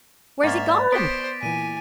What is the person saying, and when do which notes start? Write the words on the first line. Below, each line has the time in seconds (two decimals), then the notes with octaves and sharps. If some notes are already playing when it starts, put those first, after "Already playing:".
Where's he gone?
0.44 G#2 A#3 D5 E5 C#6 A6 F7
0.92 B3 C5 D6 B6 D7
1.43 A#2 E3 G#5 D#7